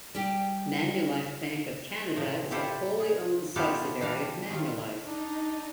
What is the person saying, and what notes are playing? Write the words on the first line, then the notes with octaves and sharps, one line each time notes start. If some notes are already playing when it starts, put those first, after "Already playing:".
Manulife Bank of Canada is a wholly owned subsidiary of Manulife.
G3 G4
A2 C3 F3
E4 F4 G4 A4 C5 E5
G#4
B3 D4 E4 F4 G4 A4
E3 G3 D4 F5
D#3 F4
D4 D#4